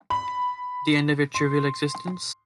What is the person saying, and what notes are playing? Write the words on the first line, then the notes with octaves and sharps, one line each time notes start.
The end of your trivial existence?
B5
C6